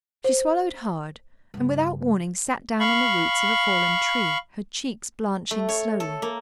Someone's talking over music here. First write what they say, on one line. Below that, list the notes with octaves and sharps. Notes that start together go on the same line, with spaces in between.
She swallowed hard, and without warning sat down on the roots of a fallen tree, her cheeks blanching slowly.
C5
G2 C#3
F5 B5 C#6
A3
C#5
A4
A#3